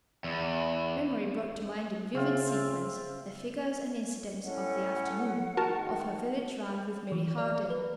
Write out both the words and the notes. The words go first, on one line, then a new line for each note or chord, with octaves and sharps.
Memory brought to mind in vivid sequence the figures and incidents of the afternoon, of her village round with Mary Harden.
E2
C#3 C4 F4 E5
A2 C#4 A4 F#5
G#2 D#3 F#4 A#4 A5
E3
D5
B4